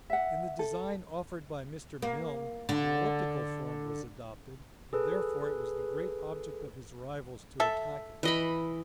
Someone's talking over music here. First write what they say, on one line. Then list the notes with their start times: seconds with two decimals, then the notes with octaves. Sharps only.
In the design offered by Mr. Mylne the elliptical form was adopted, and therefore it was the great object of his rivals to attack it.
0.10 E5 F#5
0.59 A4
2.02 A#3
2.69 D3
4.93 G#4 A4 B4
7.60 A4 E5
8.23 E3 D#5 B5